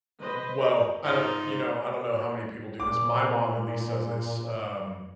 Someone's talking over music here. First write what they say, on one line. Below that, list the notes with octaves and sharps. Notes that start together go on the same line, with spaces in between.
m well I don't you know, I don't know how many people do this. My mom at least does this. Um
B4 C5 D#5
G#2 F3 D#4
A#2 D6